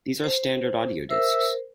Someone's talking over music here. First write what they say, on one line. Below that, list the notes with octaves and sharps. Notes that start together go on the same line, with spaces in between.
These are standard audio discs.
C5
A#4 C5 E5